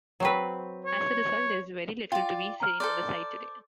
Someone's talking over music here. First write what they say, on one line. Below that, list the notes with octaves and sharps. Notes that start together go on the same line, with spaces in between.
As a result, there is very little to be seen on the site today.
F#3 C4 B4
C#5
F4 D5 G5
A#5 F6
A4 C5 D5